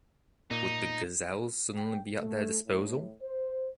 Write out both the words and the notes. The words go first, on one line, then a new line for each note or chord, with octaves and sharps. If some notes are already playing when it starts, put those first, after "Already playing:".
Would the gazelles suddenly be at their disposal?
A#2 D#4
G5
A3
A2
C5